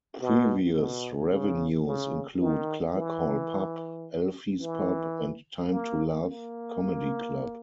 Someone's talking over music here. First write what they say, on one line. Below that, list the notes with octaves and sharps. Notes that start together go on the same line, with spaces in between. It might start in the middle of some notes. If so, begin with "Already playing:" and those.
Previous revenues include Clark Hall pub, Alfie's pub, and Time To Laugh Comedy Club.
B2
B2
C#3
C#3
D#3
E3
E3
A#3
A#3